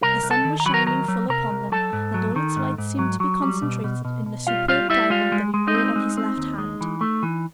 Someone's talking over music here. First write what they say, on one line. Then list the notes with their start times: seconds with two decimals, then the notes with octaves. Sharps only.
The sun was shining full upon them, and all its light seemed to be concentrated in a superb diamond that he wore on his left hand.
0.02 C2 A#4 A#5
0.23 C2
0.31 A4 A5
0.45 D#3
0.60 A#5
0.66 F#3 B5
0.74 A#4 A#5
0.87 D#3 A#4 A#5
1.08 F#3
1.29 C3 A#4 A#5
1.51 C2
1.72 F#3 A4 A5
1.93 G#2
2.14 F#3
2.36 D#3
2.56 G#2
2.78 G#2
2.99 F#3
3.20 F#3
3.42 G3
3.62 B2
3.84 B2
4.05 B2
4.26 B2
4.47 G3 F4 F5
4.68 G3 F4 F5
4.90 G3 E4 E5
5.10 G#3 F4 F5
5.32 G#3
5.54 G#3
5.67 D#4 D#5
5.74 C4
5.96 G#3
6.17 C4
6.38 D#2
6.58 G#3
6.81 E3
7.01 A3
7.23 E3